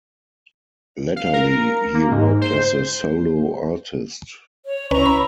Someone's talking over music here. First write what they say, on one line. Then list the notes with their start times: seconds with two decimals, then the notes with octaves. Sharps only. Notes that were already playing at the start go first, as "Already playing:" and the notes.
Latterly, he worked as a solo artist.
1.16 F5
1.33 A#4
1.94 A#3
2.11 G#2
2.41 C5
4.66 C#5
4.91 C#2 C#4 E4 B4 A#5 C#6
5.06 B5